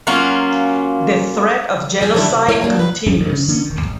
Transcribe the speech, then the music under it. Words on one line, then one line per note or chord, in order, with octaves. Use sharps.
The threat of genocide continues.
F#3 A#3 C#4 F4
F2 G#3 G#4
D#3 F#3 G3 A3 D4 E4
C3
A3 A#3 E4 B4 C#5 F5
F#3 G3 A#3 D4
D#2 B4 F5
D1 F#2 A3 C#4
A1 G2
C#3
D3 A#3 C#4
D1 D#3
G#1 D#2